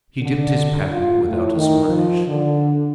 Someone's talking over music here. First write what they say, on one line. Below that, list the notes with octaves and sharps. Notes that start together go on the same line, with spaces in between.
He dipped his paddle without a splash.
D3
F4
A2
D#3
F3
D3